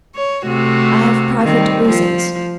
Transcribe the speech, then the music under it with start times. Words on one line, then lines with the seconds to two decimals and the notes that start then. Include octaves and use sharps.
"I have private reasons."
0.16 C#5
0.46 C3 A3 F#4
1.42 D#3 G3 C4
1.88 F3